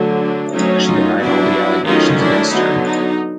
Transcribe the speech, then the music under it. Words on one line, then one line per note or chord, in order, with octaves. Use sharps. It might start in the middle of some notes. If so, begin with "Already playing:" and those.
She denied all the allegations against her.
Already playing: D3 F#3 A3
D4
F#3 A3 C#4 D#4
D#4 F4
F#3 B3 D4 E4 F#4
D#3 F#3 A3 C#4 D#4 F4
D4 E4
D3 F#3 B3 D#4
D#4